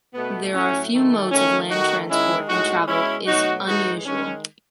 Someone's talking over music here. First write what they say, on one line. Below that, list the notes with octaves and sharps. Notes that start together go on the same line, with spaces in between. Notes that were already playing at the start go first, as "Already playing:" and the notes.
There are few modes of land transport and travel is unusual.
B2 A3 B3
A2 F#3 A3 C#4
D#3 F#3 A3
D#3 A3 C#4
D#3 A3 D#4 F#4
D#3 G#3 C#4 E4
A2 G#3 D#4 F#4
B2 G#3 C#4 E4
B2 F#3 A3 D#4 F#4
A2 E3 G#3 D#4 F#4
D#3 G#3 C#4